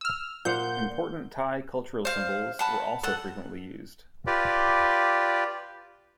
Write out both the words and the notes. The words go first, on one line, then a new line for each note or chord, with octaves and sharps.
Important Thai cultural symbols were also frequently used.
E6 F6
A#2 C5 F#5 G6
C5 F5
F#5 A5 B5
A4 F#5
F4 G4 B4 D5